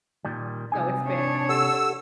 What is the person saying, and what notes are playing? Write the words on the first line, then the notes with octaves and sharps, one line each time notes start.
So, it's been
A#2 D#3 G3
C3 G3 D#4 G#5
D4 C#5
G4 A4 F#5 E6